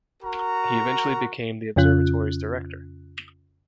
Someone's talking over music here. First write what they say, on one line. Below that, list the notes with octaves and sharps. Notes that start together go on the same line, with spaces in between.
He eventually became the observatory's director.
F#4 A#4 A#5
F2 C#3 C#4 F4 F#6